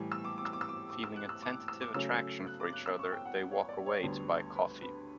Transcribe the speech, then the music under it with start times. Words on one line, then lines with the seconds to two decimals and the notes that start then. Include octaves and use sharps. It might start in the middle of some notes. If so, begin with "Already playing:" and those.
Feeling a tentative attraction for each other, they walk away to buy coffee.
Already playing: A2 E3 G3
0.12 E6
0.24 D6
0.38 D6
0.45 E6
0.53 D6
0.61 E6
0.69 D6
0.90 D6
1.04 E6
1.16 F#6
1.29 E6
1.42 D6
1.68 E6
1.81 D6
1.94 C#3 F#3 A3 C#4 E6
2.47 F#6
2.60 D6
2.73 F#6
2.86 E6
2.99 C#6
3.12 G5
3.25 F#5
3.51 C#5
3.69 D5
3.86 C#5
4.03 D2 D3 G3 B3
4.56 B4
4.82 B4